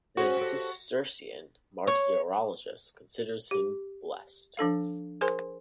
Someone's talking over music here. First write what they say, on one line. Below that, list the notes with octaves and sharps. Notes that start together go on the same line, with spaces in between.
The Cistercian/ martyrologist considers him blessed.
C#4 F#4 G#4 C5
G4 A4
C#5
G4
F3 D4 A4 F5
G#4 A#4 C5 G#5 C6